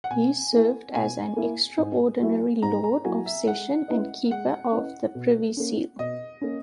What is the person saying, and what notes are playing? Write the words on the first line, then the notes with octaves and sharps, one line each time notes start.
He served as an Extraordinary Lord of Session and Keeper of the Privy Seal.
F#5
B2 G#5
A#3 E4
B2 G#5
A#3 E4
G#2
F#3 A#3 E4
G#2 A#5
A#5
F#3 A#3 E4 G#5
E5
G#3 F#5
C#4 E4 B4 D#5
G#3 F#5
C#4 E4 B4 D#5
B2
A#3 C#4
B2 D#5
A#3 C#4